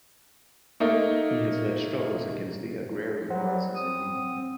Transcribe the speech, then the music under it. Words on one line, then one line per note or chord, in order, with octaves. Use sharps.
He has led struggles against the agrarian crisis in India.
A3 A#3 D#4
F#3 G3 C5 F#5
C4 D#6